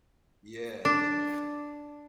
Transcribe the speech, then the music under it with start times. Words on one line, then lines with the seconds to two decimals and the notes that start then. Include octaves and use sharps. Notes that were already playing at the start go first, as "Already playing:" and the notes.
yeah, you know.
0.85 D4